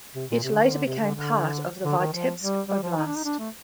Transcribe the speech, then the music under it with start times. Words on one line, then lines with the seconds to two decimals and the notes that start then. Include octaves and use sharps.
It later became part of the Vitebsk oblast.
0.15 C3
0.30 A#2
0.43 C3
0.53 D3
0.62 D#3
0.72 D3
0.86 C3
1.00 D3
1.15 D3
1.85 D3
1.98 D#3
2.13 F3
2.41 G3
2.68 G3
2.83 F3
2.97 D#4
3.06 D4
3.16 D#4
3.25 D4
3.39 A3